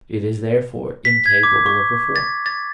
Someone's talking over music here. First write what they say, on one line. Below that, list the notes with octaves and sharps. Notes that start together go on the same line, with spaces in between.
It is, therefore, incapable of reform.
B6
G#6
D6
C#6
A6
A6